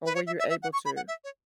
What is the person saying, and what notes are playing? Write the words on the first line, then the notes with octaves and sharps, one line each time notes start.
or were you able to?
B4
C#5
E5
E5
E5
F#5
C#6
B5
F#5
E5
C#5